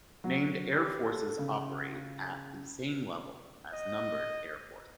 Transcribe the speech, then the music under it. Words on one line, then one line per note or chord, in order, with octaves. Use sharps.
Named Air Forces operate at the same level as Numbered Air Forces.
F#3
G4
A4
C#3
D#5